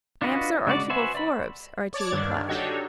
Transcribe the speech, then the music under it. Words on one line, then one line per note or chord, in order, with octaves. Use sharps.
"I am Sir Archibald Forbes," Archie replied.
D4 F4 F#4 B4 D#5
C#3 G#3 F#4 D5
F#4 B4 C5 E5 G#5
D5 B5
C#5 D5 A5 D6 G#6 A6
G2 D3 D#3 D4
D4 D#4 F#4 G4 A4 C#5